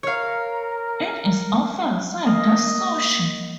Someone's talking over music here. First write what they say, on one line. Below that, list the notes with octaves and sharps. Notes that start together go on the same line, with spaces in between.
It is often served as sushi.
A#4 C#5 F5
A#3 D#5